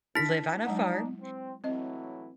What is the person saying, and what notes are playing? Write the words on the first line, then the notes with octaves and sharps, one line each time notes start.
live on a farm,
D4 E4 B6
F#3 G#3 D4 D#4 F#5
C4
A2 E3 F#3 C4 D#5